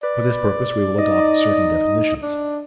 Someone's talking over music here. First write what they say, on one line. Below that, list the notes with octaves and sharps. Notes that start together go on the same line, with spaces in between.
For this purpose we will adopt certain definitions.
B4 D5
D#4 D#5
D4